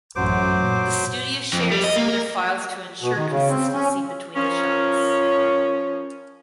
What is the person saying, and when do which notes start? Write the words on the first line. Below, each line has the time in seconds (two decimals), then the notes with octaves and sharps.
The studios shared some of their files to ensure consistency between the shots.
0.16 A1 F#2 F#3 C5 D6
0.57 A#2
1.53 F2
1.71 G3
1.84 D#5
1.96 A#3
2.08 A#4
3.02 B2
3.16 D#3
3.30 C#3
3.49 C4
3.74 C#4
4.36 F3 C#4 A#4 C#5